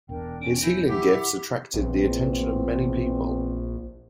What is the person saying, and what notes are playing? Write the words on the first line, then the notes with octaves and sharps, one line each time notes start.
His healing gifts attracted the attention of many people.
E1 E2 B2 D4 A#4 G5
C#4 D7
E4 G#5 G6 A#6
E4 G4 F#5 D6 B6
A#1 E2 C4